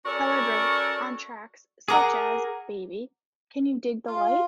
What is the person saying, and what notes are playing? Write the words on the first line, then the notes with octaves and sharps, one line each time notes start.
However, on tracks such as Baby, Can You Dig the Light?
C#4 F#4 A4 A#4 C#5 D5
G#4 A#4 F#5 A#5 D6
F4